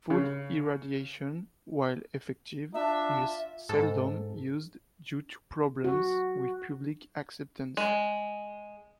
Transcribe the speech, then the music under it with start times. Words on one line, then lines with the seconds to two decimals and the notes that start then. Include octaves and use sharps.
Food irradiation, while effective, is seldom used due to problems with public acceptance.
0.10 C#3
2.74 D4 F4 E5
3.69 G#2 A4
5.84 F#4
7.77 G#3